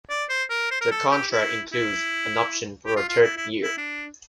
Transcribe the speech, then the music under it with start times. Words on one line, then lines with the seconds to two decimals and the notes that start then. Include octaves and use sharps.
The contract includes an option for a third year.
0.10 D5
0.29 C5
0.50 A#4
0.71 C5
0.81 A#4
0.91 A4
1.12 G4
1.32 E4
1.73 E4
2.86 G4
2.96 F4
3.09 F4
3.23 E4
3.37 E4
3.63 E4
3.78 D4